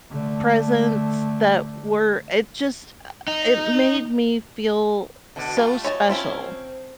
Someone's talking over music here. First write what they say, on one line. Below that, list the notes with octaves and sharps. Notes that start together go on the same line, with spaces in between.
presents that were it just uh, it made me feel so special,
D3 A3
D#4
B2 D3
G3 A3 F4
C#5 D#5 A5
C4 C#4 E4 F4